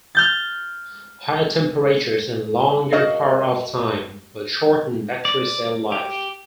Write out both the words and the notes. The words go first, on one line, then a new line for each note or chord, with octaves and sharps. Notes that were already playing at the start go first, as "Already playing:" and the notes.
Higher temperatures and longer power-off time will shorten battery cell life.
F6 G6 A6
F#4 A#4 D#5 F5
D5
G4